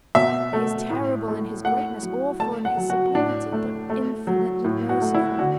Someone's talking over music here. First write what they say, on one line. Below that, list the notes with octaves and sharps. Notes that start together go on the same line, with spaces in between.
He is terrible in His greatness, awful in His sublimity, but infinitely merciful.
B2 E5
A3
A2
A3
A3 F#5
F#3
A3 A5
F#5
F#3
F#4
A2 D4
A3
A3
F#3
A2
F#4
A3
E4
D3 F#4